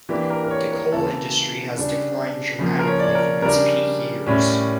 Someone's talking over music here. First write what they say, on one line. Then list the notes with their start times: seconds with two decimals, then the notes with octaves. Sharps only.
The coal industry has declined dramatically from its peak years.
0.09 E3 A#3 D4 G4
0.30 A#4
0.44 A#4
0.51 C#5
0.72 A#4
0.92 C#3 E3 A#3 A4
1.76 C#3 G3 D4
2.59 C#3 F3 A#3
2.79 A#4
2.87 C#5
2.99 D5
3.07 C#5
3.15 A#4
3.42 C#3 G3 D4 A#4
4.26 A2 G3 C#4